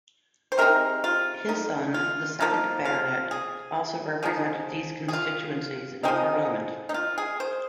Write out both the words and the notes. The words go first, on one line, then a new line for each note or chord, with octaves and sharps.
His son, the second Baronet, also represented these constituencies in Parliament.
C5
C3 G#3 C4 D#4 A#4
F4
D#4
F4
F3 A#3 D#4 F4
F4
G#4
F3 G#3 D#4
G#4
F4
F3 G#3 C4 D#4
D#4
F4
G#4
C5